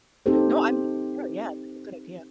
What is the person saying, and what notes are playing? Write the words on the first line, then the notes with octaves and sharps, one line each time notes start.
No. I'm with you there, yeah. That's a good idea.
C4 D#4 G4 A4 C5